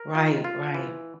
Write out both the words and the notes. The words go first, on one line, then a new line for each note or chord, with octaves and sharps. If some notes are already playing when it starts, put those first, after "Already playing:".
Right, right.
Already playing: A#4
F4
F4
E3